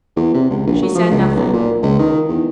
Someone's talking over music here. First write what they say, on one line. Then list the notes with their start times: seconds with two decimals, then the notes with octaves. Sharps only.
She said nothing.
0.16 E2
0.34 C3
0.50 C#2
0.67 A#1
0.83 F#3
0.95 F3
1.11 C#2
1.35 B1
1.53 A#2
1.82 C#2
1.99 D#3
2.29 E2